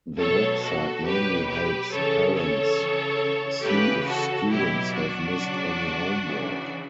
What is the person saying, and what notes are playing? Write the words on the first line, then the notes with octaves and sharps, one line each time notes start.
The website mainly helps parents see if students have missed any homework.
B2 F#3 A4 C#5
F#4 A4
B2 F#3 G4 B4
G4 B4
C#3 E3 A4 C#5
A4 C#5
C#3 E3
C#3 E3 G4 B4
F#4 A4
B2 F#3 E4 G4
D4 F#4
C#3 F#3
C#3 E3